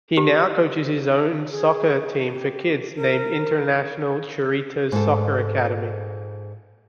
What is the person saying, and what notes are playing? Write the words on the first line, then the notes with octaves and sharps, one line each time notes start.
He now coaches his own soccer team for kids named International Cerritos Soccer Academy.
G4
G#4
G4
A#4
G#2 A4